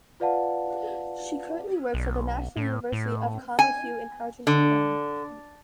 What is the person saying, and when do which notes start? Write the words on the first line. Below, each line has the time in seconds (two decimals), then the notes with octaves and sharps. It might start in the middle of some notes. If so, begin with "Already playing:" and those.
She currently works at the National University of Comahue in Argentina.
0.20 F4 B4 D5 F5 F#5 A5
1.94 B1
2.57 A2
2.92 A2
3.59 G#5
4.47 D3